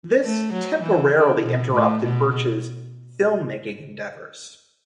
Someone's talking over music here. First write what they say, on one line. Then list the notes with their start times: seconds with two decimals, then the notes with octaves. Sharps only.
This temporarily interrupted Birch's filmmaking endeavors.
0.24 A3
0.53 F#3
0.83 E3
1.14 D3
1.43 B2
1.74 A2
2.03 B2